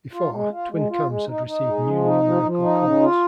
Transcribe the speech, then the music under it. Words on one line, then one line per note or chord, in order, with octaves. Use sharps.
Before, twin cams had received new numerical codes.
F4
G#3
F4
G#3
F4
G#3
D#4
D#4
G#3
F3
D#4
F3
F3
D#4
C#3
F4